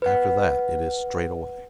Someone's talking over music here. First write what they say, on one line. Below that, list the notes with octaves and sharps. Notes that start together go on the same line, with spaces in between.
"After that it is straight away."
B4 F#5